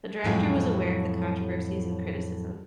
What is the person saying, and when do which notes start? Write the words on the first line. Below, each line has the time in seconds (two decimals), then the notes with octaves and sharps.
The director was aware of the controversies and criticism.
0.24 F2 A2 F#3 G#3